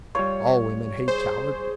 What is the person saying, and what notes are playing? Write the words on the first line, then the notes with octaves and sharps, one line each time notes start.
All women hate cowards.
G3 F4 C#5
G#4 C5